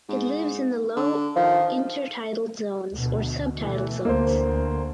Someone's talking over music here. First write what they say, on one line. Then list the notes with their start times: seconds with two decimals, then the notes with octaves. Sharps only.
It lives in the low intertidal zones or subtidal zones.
0.09 G#2
0.97 D3
1.36 D#3 F3
2.94 D2 B2
3.56 B2 E3 A3
4.05 D2 A#3 C5